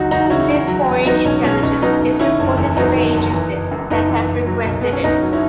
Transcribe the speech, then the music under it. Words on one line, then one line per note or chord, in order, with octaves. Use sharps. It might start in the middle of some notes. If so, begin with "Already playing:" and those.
This "foreign intelligence" is reported to the agencies that have requested it.
Already playing: C#2 F#3 D#4 F#4
E2 D#4 F#4
F#4
C#3 C#4 E4
E2
F#3
E2
F#3 B3 D#4
B1 C#4
B2 C#4
B1 C#4
F#3 B3 D#4
B1
D#3 C#4 E4
F#1
E2
F#3 B3 D#4
D#3
F#1
E3
F#1
F#2
F#1 B3 D#4
E3
F#1
F#3
B1
B2 B3
C#4
B1 B3 D#4
F#3
C#4 E4